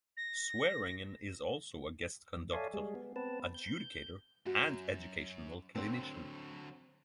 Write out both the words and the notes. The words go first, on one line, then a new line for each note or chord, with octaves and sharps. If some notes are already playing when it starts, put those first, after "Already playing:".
Swearingen is also a guest conductor, adjudicator and educational clinician.
A#6
F2
A4 C#5 D5 E5 F5 G#5
G3 G#3 G#4
B3
B3 C4 B4 A5
G6
F#2 F#4
D3 F#3 C4 C5